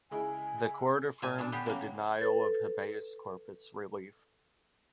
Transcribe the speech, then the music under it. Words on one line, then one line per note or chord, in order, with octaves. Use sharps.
The court affirmed the denial of "habeas corpus" relief.
C#3 G#3 E4 G#5
A#2 G#5
A#2 D4
B3 G4
C#3 A#3
A4 B4 A6